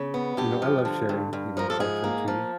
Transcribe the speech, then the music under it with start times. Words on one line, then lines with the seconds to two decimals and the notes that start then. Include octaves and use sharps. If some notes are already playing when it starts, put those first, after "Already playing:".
you know, I love sharing, you know, culture too.
Already playing: C#3
0.14 B3
0.37 G2 G4
0.62 F3
0.85 D3
1.09 G2
1.33 G2
1.57 F3 A#4
1.70 A4
1.80 G#2 G#4
2.04 A#3
2.28 F3